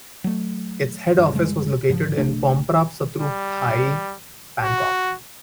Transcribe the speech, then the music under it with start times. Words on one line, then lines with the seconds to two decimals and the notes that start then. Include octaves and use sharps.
Its head office was located in Pom Prap Sattru Phai, Bangkok.
0.24 F#3 A3
1.18 G2
1.33 F#2 C#3 G3 G#3
1.89 G#2 C#3 F3
2.17 A#1 C3 A3 D4
3.20 G3
4.63 F#4